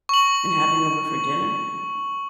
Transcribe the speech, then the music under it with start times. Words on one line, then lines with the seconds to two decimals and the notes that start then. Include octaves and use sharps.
and having over for dinner?
0.09 C#6 F#7